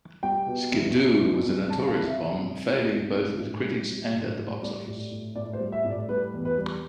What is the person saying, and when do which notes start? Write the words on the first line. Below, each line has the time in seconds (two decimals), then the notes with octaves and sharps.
"Skidoo" was a notorious bomb, failing both with critics and at the box office.
0.23 G3 G5
0.46 B2
0.71 C2
0.95 C2
1.20 B2
1.44 C2
1.69 G3 A5
1.87 F5
1.94 C2
2.06 E5
2.18 C2
2.42 C2
2.67 B2
2.91 C2
3.16 G3
3.40 A2
3.64 G3
3.89 G3
4.13 A2
4.38 A2
4.62 G3 D5
4.86 A2
5.11 A2
5.35 A2 D5
5.53 C5
5.60 G3
5.72 E5
5.84 A2
5.90 D5
6.08 G3 B4
6.34 E2
6.45 B4
6.58 G3